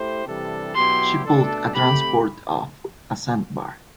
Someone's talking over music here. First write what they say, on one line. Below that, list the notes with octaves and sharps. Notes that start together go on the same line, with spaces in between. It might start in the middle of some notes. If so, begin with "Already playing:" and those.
She pulled a transport off a sand bar.
Already playing: A3 E4 G4 C5
C3 E3 G3 D4 A4
B2 F#3 B3 E4 G4 C6
B2 A3 D4 A4
A3 C4 G4 B5